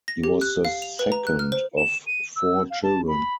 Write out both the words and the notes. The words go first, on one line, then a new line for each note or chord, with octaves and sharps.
He was the second of four children.
A#6
G4
F#6
F5
F7
B4
A#5
F#6
F6
C5
E7
D#7
E6
F5
A5
B5